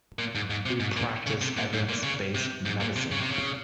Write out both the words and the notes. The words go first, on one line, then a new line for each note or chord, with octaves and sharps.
We practice evidence-based medicine.
A#2
G#2
G#2
C3
G#2
A#2
C#3
C3
A#2
G#2
A#2
C#3
C3
G#2
A#2
C3
C#3
C3
C#3